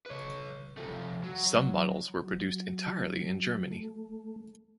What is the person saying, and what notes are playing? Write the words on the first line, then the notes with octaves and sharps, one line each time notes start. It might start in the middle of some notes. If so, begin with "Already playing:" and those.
Some models were produced entirely in Germany.
B4 C#5
F3 A3
F#3
F#3
A3